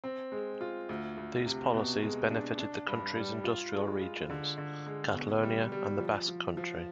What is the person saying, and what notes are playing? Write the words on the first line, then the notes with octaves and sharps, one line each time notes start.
These policies benefitted the country's industrial regions, Catalonia and the Basque Country.
C4
G#3
F4
D2
D2
C3
B2
G#3
D4
D4
G2
G3
F4
G#3
F4
D3
D3
G#3
B2
G3
G3
F3
F3
F3